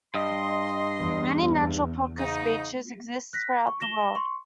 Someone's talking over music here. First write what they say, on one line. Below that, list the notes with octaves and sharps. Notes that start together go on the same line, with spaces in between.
Many natural pocket beaches exist throughout the world.
G2 D#5 C6
E2
G#2 C#3 D#4
F#6 A#6 B6
C#6
A#6 E7 G7
C6 C#6